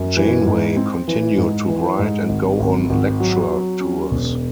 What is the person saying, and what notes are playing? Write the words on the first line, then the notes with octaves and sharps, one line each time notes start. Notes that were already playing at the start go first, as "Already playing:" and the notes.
Janeway continued to write and go on lecture tours.
Already playing: F#2
E3
G#2
C4
E3
G#2
E3
G#2
G#1
G#1
G#1
F#3
F#3
C#4
E1